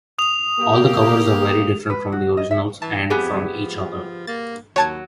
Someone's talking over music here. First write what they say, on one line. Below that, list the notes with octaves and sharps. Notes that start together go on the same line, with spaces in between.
All the covers are very different from the originals - and from each other.
D#6 F7
A#3 G4
B4
F#4
D#5
E5
E3 A5
F2 B3 G4 G#4
F3
A#3 A6
D#2 F#3 C#5 A5 G#6